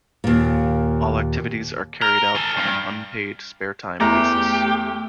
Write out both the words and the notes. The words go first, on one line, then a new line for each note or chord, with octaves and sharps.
All activities are carried out on an unpaid, spare time basis.
D#2 A#2
A#4 A#5 F6
A4 G#5
G2
E2 A3 G4 A#5